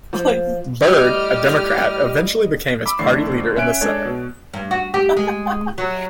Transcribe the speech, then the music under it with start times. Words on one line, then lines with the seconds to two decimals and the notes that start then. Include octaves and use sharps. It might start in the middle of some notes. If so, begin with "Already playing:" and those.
Byrd, a Democrat, eventually became his party leader in the Senate.
0.13 F3
0.83 A2 G3 G4 D#5 F6
2.86 B5 D6 E6 B6
2.99 F2 A2 D3 D4 C#6 C7
3.56 C#4 E5 F#6 D7
3.81 G#3 D4 A4 C#5
4.05 B2
4.54 G2
4.71 F#4
4.94 G4
5.17 G#3
5.78 F#3